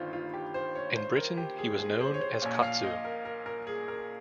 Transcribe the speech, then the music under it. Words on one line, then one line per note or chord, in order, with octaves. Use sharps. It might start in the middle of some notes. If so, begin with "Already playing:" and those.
In Britain he was known as "Katsu".
Already playing: G1 G2 D#3 F4 C5
F4
G4
C5
C#5
C5
A#4
G4
G#4
G#4
C5
C#5
C5
A#1 A#2 C#5
F5
D#5
A#4
A#4
A#4
G#4
A#4